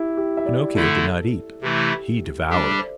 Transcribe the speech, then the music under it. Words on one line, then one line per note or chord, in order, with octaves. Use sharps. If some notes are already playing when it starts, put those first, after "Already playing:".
Pinocchio did not eat; he devoured.
Already playing: E4 G4
G4
E5
D5
D3 A3 E4 A4
C3 E3 A3 E4 G4
G3 D4 G4 A4
E5
D5
C5